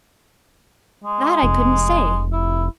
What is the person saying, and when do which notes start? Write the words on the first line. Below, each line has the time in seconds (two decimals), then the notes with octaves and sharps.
"That I couldn't say."
1.04 G#3
1.43 F1
2.33 E4